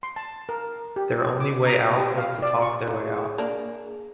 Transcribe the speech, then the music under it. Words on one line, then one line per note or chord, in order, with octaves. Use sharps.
Their only way out was to talk their way out.
C6
A5
A#4
G4
D6
A#5
G4
F5
D5
C#6
G#4
A#3 D4